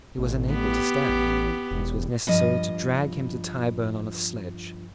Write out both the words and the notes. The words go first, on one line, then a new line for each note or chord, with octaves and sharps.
He was unable to stand, and it was necessary to drag him to Tyburn on a sledge.
A1
B3 G4
A1
E1
G2 F3 D#5